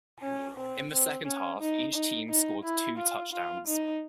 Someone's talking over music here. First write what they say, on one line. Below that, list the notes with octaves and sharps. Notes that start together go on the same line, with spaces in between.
In the second half, each team scored two touchdowns.
C#4
C4
C4
C#4
D#4
D#4
D#4
E4
F4
F4
D#4